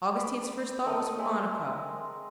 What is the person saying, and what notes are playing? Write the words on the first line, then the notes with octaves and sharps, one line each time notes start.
Augustine's first thought was for Monica.
D5 B5
A3 A#4 D#5
G#3 C4 E5